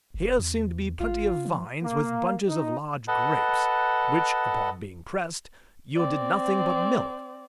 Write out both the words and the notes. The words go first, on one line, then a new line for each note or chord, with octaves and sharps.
Here seemed to be plenty of vines, with bunches of large grapes, which, upon being pressed, yielded nothing but milk.
F1
E2
G#1 F4
F3
A#3
D#4
A4 B4 D#5 F#5 A5
C4 D5